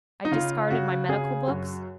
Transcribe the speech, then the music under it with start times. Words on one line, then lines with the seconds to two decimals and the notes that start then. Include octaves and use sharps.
I discarded my medical books.
0.25 D#4
0.32 C#3 F4
0.70 C#3 F#4
1.09 C#3 G#4
1.47 F#2 F#4